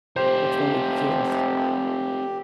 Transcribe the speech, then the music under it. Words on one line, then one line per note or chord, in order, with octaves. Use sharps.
Which one would you choose?
F1 C4 G4 A#4 C5